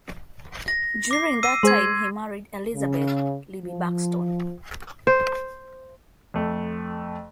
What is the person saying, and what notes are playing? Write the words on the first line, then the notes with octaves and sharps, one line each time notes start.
During that time, he married Elizabeth "Libbie" Buxton.
A#6
D6 C7
E6 C7 D#7
G#3 G#4 C5 C6 G#6
C#3
F3
C5
F2 A3